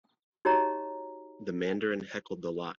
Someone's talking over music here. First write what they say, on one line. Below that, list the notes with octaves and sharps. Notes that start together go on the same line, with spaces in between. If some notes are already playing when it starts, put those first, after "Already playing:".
The mandarin heckled the lot.
D#4 F#4 G4 C#5 D#5 A#5